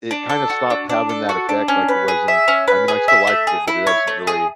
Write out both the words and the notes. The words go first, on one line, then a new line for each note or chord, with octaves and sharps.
it kind of stopped having that effect like it wasn't I mean, I still like it, but it doesn't really
D4
A4
F#4
D4
D4
A4
F#4
D4
C#4
B4
G#4
E5
C#4
B4
G#4
E5
A3
G#4
E4
C#5
A3
G#4